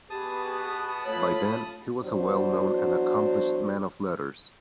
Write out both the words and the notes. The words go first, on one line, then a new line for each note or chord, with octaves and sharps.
By then, he was a well-known and accomplished man-of-letters.
B2 B3 G4 G#4 B4 A5 D#6
A3 F4 C#5 B5
E2 F#3 D4 F#4 C5